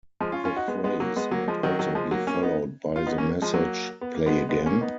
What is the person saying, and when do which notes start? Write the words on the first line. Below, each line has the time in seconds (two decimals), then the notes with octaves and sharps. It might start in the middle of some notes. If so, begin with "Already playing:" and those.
The phrase might also be followed by the message Play Again?
0.21 F3 G#3
0.32 C#4 F4
0.44 C#4 F4
0.56 D#4 F#4
0.68 G#3 B3
0.84 G#3 B3
1.00 F#3 A#3
1.16 G#3 B3
1.31 F#3 A#3
1.48 F3 G#3
1.63 D#3 F#3
1.79 D#3 F#3
1.95 F3 G#3
2.11 F#3 A#3
2.27 A#3 C#4
2.42 B3 D#4
2.96 F4
3.06 B3 D#4
3.18 A#3 C#4
3.42 F3 G#3
3.54 F#3 A#3
4.01 B3
4.15 A#3
4.26 G#3 B3
4.49 G#3 B3
4.66 A#3 C#4
4.81 B3 D#4